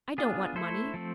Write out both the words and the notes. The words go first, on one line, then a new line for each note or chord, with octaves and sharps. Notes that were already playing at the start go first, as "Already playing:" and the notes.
I don't want money.
B3 D4 F4 G#4
A3 E4 A4 C5
F3 A3 C4